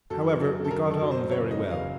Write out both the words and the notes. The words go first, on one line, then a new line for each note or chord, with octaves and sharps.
However, we got on very well.
F#2 A4
F#2
A4
F#2 A#4
A4
F#2
C5
C#3 C#5
D#5
C#3
F5